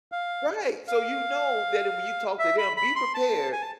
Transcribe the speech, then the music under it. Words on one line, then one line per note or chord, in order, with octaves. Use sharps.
Right, so you know that- and when you talk to them, be prepared
F5
F5
E5
B5
B5
C6
A5
G#5
A5